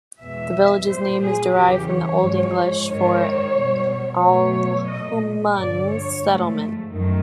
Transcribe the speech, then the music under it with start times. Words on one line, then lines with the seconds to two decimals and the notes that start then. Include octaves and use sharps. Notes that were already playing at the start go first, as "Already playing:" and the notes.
The village's name is derived from the Old English for "Ealhmund's settlement".
0.19 E2 B2 G#3 E5
0.86 A#2 G3 C5
1.20 G#4
1.53 E2 C#3 E3 G3 G4
1.87 C#5
2.20 G#2 F3 G#3
2.87 G#2 D#3 G#3 C#5
3.53 B2 G3
4.21 B2 F#3 A3 C#5
4.87 A#2 F3 A3 D#5
5.54 G2 D3 F3 D5
5.87 C#5
6.21 G#2 F3 A3
6.88 F#2 D#3 F#3 A3